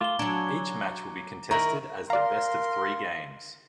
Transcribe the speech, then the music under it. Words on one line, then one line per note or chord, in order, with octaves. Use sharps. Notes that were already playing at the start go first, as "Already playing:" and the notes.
Each match will be contested as the best of three games.
A3 F4 D6 G7
F#3 D4 C#5 G#5 A#5
D#3 E4 A#4 A#5 C#6 F#7
A#4 D5 F5 A#5 C6